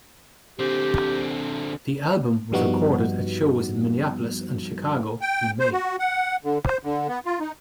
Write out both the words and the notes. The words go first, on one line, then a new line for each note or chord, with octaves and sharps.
The album was recorded at shows in Minneapolis and Chicago in May.
D3 C4 G4
G2 F3 G3 B3 D#4 F#4
G5
C5
F#4
F#5
D3
C5
D3
B3
F4
D#4